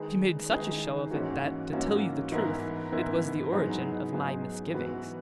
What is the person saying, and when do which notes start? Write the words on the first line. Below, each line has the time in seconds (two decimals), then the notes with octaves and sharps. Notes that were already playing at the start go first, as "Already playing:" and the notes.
"She made such a show of it, that, to tell you the truth, it was the origin of my misgivings."
Already playing: D#3 G#3 D#4 G#4 B4
0.51 D#3 G#3 D#4 G#4 B4
1.11 G#2 E3 A#3 C#4 F#4
1.72 G#2 E3 A#3 C#4 F#4
2.32 G#2 E3 B3 E4 A#4
2.92 G#2 E3 B3 E4 A#4
3.52 G#2 F#3 B3 D#4 G#4
4.12 G#2 F#3 B3 D#4 G#4
4.72 G#2 E3 B3 F#4 B4